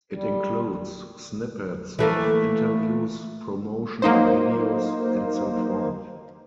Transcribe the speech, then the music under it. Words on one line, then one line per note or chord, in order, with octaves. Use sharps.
It includes snippets of interviews, promotional videos, and so forth.
G3
E3 A3 A#3
F#3 A#3 D#4 C5